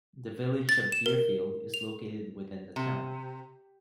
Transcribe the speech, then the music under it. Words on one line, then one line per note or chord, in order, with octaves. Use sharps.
The Village of Deerfield is located within the town.
A6
E7
A#4
F7
C3